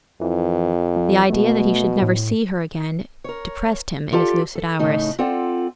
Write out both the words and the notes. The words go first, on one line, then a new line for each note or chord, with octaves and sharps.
The idea that he should never see her again depressed him in his lucid hours.
F2 E3
F3
B2 A3
A2
A#4 C#5
F4 G4 A4 D5 A5
A4
A2 C#3 A3 D#4
C4 F4 A4 D5 F#5